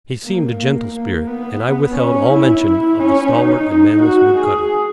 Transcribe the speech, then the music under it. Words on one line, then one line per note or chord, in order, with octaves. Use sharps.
He seemed a gentle spirit, and I withheld all mention of the stalwart and manless wood-cutter.
A#3
A#3
A#3
B3
C#4
E4
C#4
D#4
F#4
G#4